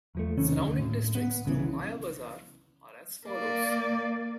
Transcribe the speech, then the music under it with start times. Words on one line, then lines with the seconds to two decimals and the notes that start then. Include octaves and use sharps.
Surrounding districts from Maya Bazar are as follows.
0.15 E2 F3 A3
0.37 D#2 C3 D#3 C#4
0.56 D2
0.79 A2
1.15 B3
1.45 C2 C#3 E3
3.27 A#3 D5